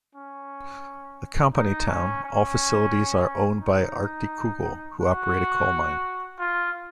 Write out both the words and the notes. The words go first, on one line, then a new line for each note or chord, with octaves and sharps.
A company town, all facilities are owned by Arktikugol, who operate a coal mine.
C#4
D#4
C#4
C#4
D#4
F#4
F4